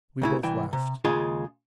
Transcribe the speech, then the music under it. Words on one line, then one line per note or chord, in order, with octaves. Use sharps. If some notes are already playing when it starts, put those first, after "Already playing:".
We both laughed.
D2 C#3 E4
C2 E3 G5
C3
D#2 C#3 G#3 F4 G#4 C6